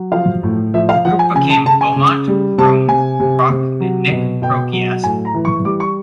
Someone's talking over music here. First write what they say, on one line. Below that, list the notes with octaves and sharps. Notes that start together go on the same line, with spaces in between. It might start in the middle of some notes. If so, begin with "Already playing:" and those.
The group became Beaumont, Groom, Proch, and Nick Pociask.
Already playing: F#3
F3 F5
A2
F3 E5
F5
F3 F#5
G#5
C#3 G#5
A5
C#3 A5
G#5
C#3
G3
C3 A5
C3 G#5
C3
C3
F#3
B2
B2 G5
F#3
A2 G#5
A#5
E3
C#6
G3 D6
C#6